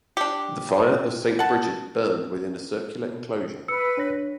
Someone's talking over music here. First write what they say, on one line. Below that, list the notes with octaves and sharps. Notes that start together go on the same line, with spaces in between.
The fire of St. Bridget burned within a circular enclosure.
D4 G4
F#5 A5
B4 E6 C#7
D4 C#5 A#6